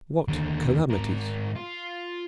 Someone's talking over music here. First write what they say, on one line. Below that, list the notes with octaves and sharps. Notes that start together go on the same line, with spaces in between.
What calamities?
D#2 D3
G#2 A#4
F4